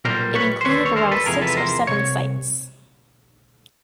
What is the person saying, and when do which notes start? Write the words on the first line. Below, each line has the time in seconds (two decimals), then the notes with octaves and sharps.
It included around six or seven sites.
0.05 B1 A#2 G3 A#4 C5
0.35 B4 C#5
0.61 C5
0.65 D#2 D3 G3 B4 C#5
0.86 C#5
0.96 A#4 C5
1.11 A4 B4
1.26 E2 C3 F3 G#3 G#4 A#4
1.41 A4 B4
1.57 A#4 C5
1.87 C2 C3 C#5